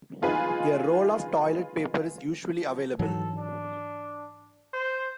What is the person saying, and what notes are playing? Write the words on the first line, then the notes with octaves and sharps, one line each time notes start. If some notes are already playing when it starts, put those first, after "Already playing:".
A roll of toilet paper is usually available.
D#4 F4 G#4 B4 G#5
F3
G#2 E3 F#3 A4
D4
C5